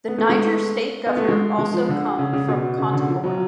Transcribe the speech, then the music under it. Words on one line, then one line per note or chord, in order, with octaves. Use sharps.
The Niger state governor also come from Kontagora.
B3
A3
G#3
A3
B3
A3
G#3
G#3
F3
D3
C#3
C#3
B2
C#3
D3
F3
F#3